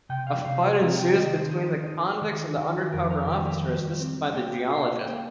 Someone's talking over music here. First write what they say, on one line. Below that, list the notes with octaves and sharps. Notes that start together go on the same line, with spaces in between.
A fight ensues between the convicts and the undercover officer, assisted by the geologist.
C3 G5
F5
C3 F5
D#5
C3 A#5
G5
D#3 D#5
C5
D#4
D#4
D#3
D#3
F2 A#4
A#4
D#3 G4
G4
G3
C4
A#3 G5
A#3 F5
A#3 G5